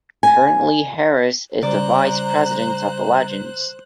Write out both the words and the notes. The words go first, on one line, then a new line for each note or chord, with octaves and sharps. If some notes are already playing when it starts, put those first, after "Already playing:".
Currently Harris is the Vice President of the Legends.
G#5
C#3 G3 C5 D5 A#5 F#6